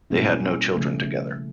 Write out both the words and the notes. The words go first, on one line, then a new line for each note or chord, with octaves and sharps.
They had no children together.
B2 G3 A#3 C#4 E4
C#3 F3 A3